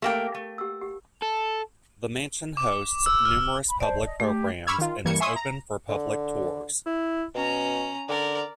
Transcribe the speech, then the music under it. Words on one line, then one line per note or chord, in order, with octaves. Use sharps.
The mansion hosts numerous public programs, and is open for public tours.
A3 A#3 G4 A#4 F5 G5
A3
G4 E6
G4
A4
D6
E6
F6
B5
C5 D5 A5
D#5
A3 G4
B5 C#6 D6 E6 F6 G#6
D#3 F4
G2 E3 G3 A#3 G#6 C#7
E5 G#5 C6 C#6 D#6 E6
A#5
D3
E4
B2 C#4 A#5
D3 A#4 D5